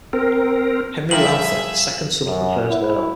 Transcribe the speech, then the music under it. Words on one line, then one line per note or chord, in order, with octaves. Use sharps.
Henry Lowther, second son of the first Earl.
C4 A#4
F3 G3 G#4 A#4 E5 F#7
F#2
E4